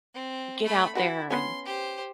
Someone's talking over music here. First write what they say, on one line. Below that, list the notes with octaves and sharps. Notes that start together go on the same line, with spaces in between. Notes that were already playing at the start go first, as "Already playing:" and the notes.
get out there and,"
C4
A3 B5
E4 F#4 B4
B3 C#4 C6
G4 C5